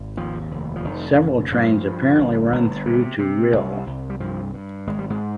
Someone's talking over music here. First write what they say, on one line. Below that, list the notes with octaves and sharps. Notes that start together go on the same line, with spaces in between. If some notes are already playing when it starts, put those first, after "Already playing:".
Several trains apparently run through to Rhyl.
Already playing: G#1
D#2 F3
F1
F3
F1 D#3
C#3
G2 F3
G2
G1
G1
C3
C3
C2
C2
G3
G2 F3
G2
G#1 G#3
G3
G#2 G#3